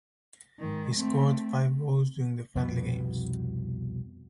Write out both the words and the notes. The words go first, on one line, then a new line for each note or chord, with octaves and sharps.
He scored five goals during the friendly games.
G#2 D#3
A3 C4
C2 F2 B2 B3